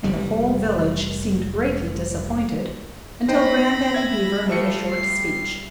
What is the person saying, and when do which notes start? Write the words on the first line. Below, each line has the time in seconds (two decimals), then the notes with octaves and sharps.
And the whole village seemed greatly disappointed, until Grandaddy Beaver made a short speech.
0.04 F1 G3
3.29 D#4 C5 G5 B5 A#6
3.94 E5 G#6
4.49 G3 A3 F4 E5 C#7
4.89 C7